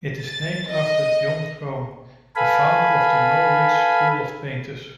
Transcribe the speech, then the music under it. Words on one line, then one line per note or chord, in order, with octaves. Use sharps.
It is named after John Crome, the founder of the Norwich school of painters.
A6
D#5
A4 B4 F5 G#5 B5